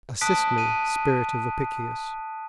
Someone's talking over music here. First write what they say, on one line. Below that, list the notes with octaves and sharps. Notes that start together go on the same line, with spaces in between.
Assist me, Spirit of Apicius!
A5 D#6 F#6 B6 D7
D#7